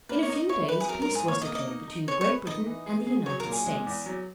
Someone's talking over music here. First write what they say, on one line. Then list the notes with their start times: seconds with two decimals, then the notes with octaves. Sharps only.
In a few days peace was declared between Great Britain and the United States.
0.09 A#3 B4
0.23 C#5
0.29 D#4
0.35 D#5
0.49 E4 C#5
0.69 E3 B4
0.80 G#4
0.88 F#3 A#4
1.02 A#4
1.09 G#2
1.15 G#4
1.28 A#3 C#5
1.42 D#5
1.47 A#3
1.55 D#5
1.68 D#4
1.88 D#4
2.07 G#4 C#5
2.21 C#5
2.27 B4
2.47 D#4 D#5
2.66 E3
2.86 G#4
3.07 G#4
3.26 F#3 C#5
3.40 A#4
3.46 A#2
3.52 G#4
3.66 G#3
3.87 E2
4.06 F#3